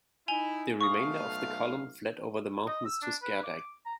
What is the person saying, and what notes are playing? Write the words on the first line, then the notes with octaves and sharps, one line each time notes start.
The remainder of the column fled over the mountains to Skerdagh.
D#4 E4 G#5 F7 G7
B1 A3 F5 C#6 D#6
D#5
E6
D4
B4
D6
A#5